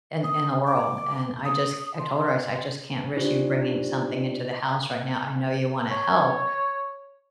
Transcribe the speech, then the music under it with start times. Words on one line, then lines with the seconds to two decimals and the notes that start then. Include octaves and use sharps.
in th in the world, and I just c I told her, I said, "I just can't risk you bringing something into the house right now. I know you wanna help,
0.24 D#6
0.66 D6
1.45 D#6
1.99 C6
3.16 D4 D#4 F4 G4 C5 D5
5.91 C#5